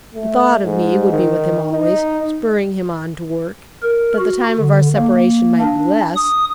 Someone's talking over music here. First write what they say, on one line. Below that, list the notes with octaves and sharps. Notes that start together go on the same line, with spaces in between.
The thought of me would be with him always, spurring him on to work, that the time of our separation might be less.
A3
G#2
D#3
D#4
A#4
F#4
D3
A#3
D4
D#6